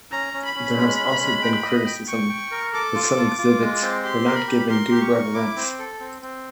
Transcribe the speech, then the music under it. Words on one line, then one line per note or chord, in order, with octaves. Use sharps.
There has also been criticism that some exhibits were not given due reverence.
C#4 A#5
C#4
B5
C#4
G#3
C#4
G#3
G5
D#5
G5
G5 C#6
G5
A#4
A4 D6
F4
F4
F4
G#3
C4
G4 C6
A#4
B5
G4
A#4 C6
G4
C#6
A#4
E4 D6
C4
A4
C4
C4